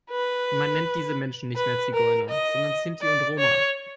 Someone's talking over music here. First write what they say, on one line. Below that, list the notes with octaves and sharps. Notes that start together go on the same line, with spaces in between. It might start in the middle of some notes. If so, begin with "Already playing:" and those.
Man nennt diese Menschen nicht mehr Zigeuner, sondern Sinti und Roma.
B4
B4
A#4
D#5
D5
C#5